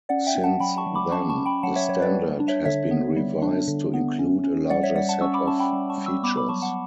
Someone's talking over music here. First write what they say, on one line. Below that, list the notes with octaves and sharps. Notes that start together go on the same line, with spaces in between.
Since then, the standard has been revised to include a larger set of features.
C#4 D5 F#5
E5 G5
C#4
F#5 A5
F#3 G5 B5
A5 C#6
F#3
B5 D6
C#4 A5 C#6
A5 C#6
C#4
G5 B5
F#3 F#5 A5
C#5 E5
F#3 C#5
B4 D5
G3
D4
C#5 E5
D3 C#5 E5
B3
G3
D4
D3
B3
C#4
C#4
G3 D5 F#5
C#5 E5
G3 D5 F#5
F#5 A5
C#4 C#6 E6
B5 D6
C#4 A5 C#6
G5 B5
G3
A5 C#6
G3
C#6 E6
B3 B5 D6
B5 D6
F#3 A5 C#6
F#5 A5